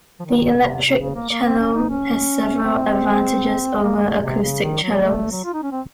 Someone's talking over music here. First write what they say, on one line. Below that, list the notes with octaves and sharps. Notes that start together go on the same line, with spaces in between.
The electric cello has several advantages over acoustic cellos.
F3
D#3
C3
C3
C#3
A#3
A#3
C4
C#4
D#4
C#4
C4
A#3
A#3
A3
C3
C#3
D#3
F#3
A3
F#3
F4
D#4
C#4
C4